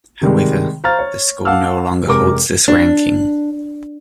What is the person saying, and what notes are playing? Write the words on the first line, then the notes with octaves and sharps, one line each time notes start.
However, the school no longer holds this ranking.
C3 D#3 G3 G#3
C5 F5 A#5 C#6 F6 A6
C#5
F5 F#5 A5 D6 E6 F6
F1 C3 G#3 A#4 D6
D4